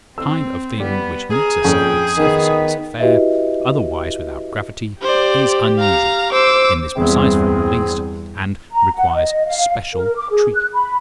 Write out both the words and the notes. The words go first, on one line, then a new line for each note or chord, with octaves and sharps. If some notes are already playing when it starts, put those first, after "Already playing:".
"The kind of thing which meets us under the surface of this affair, otherwise without gravity, is unusual--in this precise form at least--and requires special treatment."
C4 E6
G3 B3
G#4 A#4
F2 A#2 C#4 G5 A5
D#3 B3
E4 F#4 G4 B4 D#5 E5
G4 C5 D5
F5 A#5
C5 D6 E6
E2 G2 C4 G#4
A#5
F#5
D#5
F5
A#4
D6
G#4
F#6
B5